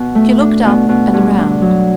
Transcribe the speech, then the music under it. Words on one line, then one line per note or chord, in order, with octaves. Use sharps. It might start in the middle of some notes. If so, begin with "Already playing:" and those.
She looked up and around.
Already playing: B2
A3
D4
B2
B2
G2
D4
F#3